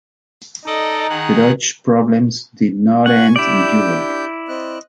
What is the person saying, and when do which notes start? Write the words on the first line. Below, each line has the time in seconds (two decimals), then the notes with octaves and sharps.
The Doge's problems did not end in Europe.
0.66 D#4 A4 D5 D#5
1.09 D#3 G#4 F#5
3.06 F#5 G#5 C#6
3.36 D4 E4 G4 D5 G6
4.49 C4 D#5 F#6